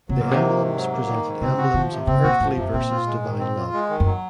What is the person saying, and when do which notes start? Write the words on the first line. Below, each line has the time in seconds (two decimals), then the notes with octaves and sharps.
The emblems presented emblems of earthly versus divine love.
0.09 C3 F#3
0.20 A#2
0.26 A#3
0.31 C3
0.43 D#3
0.59 G#2
0.76 F#3
0.92 A#3
1.08 D#3
1.25 G#2
1.41 C#3 C4
1.58 F#4
1.74 D#3 F3
1.91 C3
2.07 C#3 C4
2.23 A#2 F#4
2.40 G#2 F3
2.57 F#2 C3
2.73 A#2 C4
2.90 F4
3.06 G#3
3.23 D#3
3.39 C4
3.56 F4
3.73 G#3
3.89 D#3
4.00 F#2
4.06 F#3